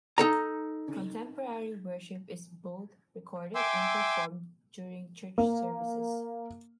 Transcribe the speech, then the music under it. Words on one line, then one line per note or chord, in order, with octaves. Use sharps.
Contemporary worship is both recorded and performed during church services.
D#4 A4 A#5
E5 G5 G#5 C6 D6 E6
A#3